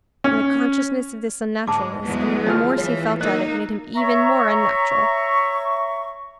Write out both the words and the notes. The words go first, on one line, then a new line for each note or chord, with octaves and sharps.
And the consciousness of this unnaturalness, and the remorse he felt at it, made him even more unnatural.
C#4
G#2 G#3 A5 D6
E2 F#3 G#3
F3 G#4 F6
E3 C#5
A#3 D#4 A#4 D#5 F#6
C#5 E5 A#5 C#6